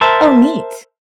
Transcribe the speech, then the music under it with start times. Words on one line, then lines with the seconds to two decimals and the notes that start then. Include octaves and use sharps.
Oh, neat.
0.01 A#4 C5 E5 A5